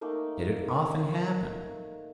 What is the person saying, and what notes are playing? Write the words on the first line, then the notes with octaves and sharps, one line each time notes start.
Did it often happen?
A3 A#3 D#4